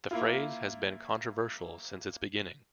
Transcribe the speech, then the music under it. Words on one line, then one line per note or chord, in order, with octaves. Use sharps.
The phrase has been controversial since its beginning.
A#3 E4 F4